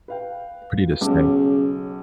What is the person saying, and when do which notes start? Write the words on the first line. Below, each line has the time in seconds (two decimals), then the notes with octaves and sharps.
pretty distinct,
0.08 B4 F5 G5
1.01 B1 C#3 C#4 D6